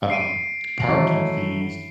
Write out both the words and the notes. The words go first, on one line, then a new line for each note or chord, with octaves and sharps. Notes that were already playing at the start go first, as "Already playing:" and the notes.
um, parking fees,
C7 D7 D#7
D#3 E3 F#3 A3 C#4 E4 D#5